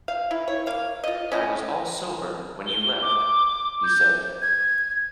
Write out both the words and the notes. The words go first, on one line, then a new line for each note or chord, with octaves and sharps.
"I was all sober when you left," he said.
F5
E4
C#5
A#3 F5
F4 D#5
C#4 D#5
G7
D6
G6
G#6